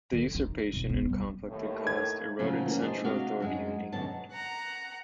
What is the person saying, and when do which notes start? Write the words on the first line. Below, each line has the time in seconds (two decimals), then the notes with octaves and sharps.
The usurpation and conflict it caused eroded central authority in England.
0.13 D3
0.35 D#4
0.73 E1
0.89 B3
1.08 G3
1.49 D#2 A2
1.87 G#6
2.39 A#2 C#3 F3 F#3
2.66 E3 A#3 C#4
2.82 G#3 D4 G4 G#4 C5 D#5
3.03 C3 D4 F#4 D#5 F5
3.40 F#2 G#3
3.92 F#2 B2 D3 A5
4.32 F#5 A#5